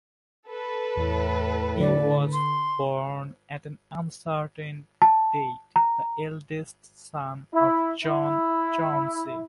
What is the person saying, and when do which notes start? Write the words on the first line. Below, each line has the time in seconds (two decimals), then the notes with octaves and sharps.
He was born at an uncertain date, the eldest son of John Chauncey.
0.47 A4 B4
0.97 E2 A2
1.80 D3 D5
2.32 C6
5.02 A5
5.76 A#5
7.54 E4
8.04 E4